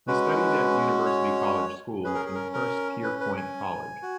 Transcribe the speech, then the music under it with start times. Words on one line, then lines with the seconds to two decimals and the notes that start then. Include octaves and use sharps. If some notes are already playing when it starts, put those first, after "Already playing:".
He studied at University College School and Hurstpierpoint College.
0.07 G#3 C#4 F#4 B4
1.06 C#5
2.04 C#4 G#4 B4
2.14 A#4
2.25 G#4
2.35 A#4
2.53 A#4
3.03 B4
3.20 B4
3.37 G#5
4.02 F#4